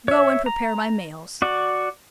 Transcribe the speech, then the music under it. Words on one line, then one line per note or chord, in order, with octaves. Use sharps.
"Go and prepare my mails."
C#5 E5
A#5
F#4 D5